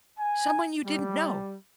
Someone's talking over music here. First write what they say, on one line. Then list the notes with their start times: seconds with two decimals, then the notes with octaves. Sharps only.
Someone you didn't know?
0.18 G#5
0.85 G3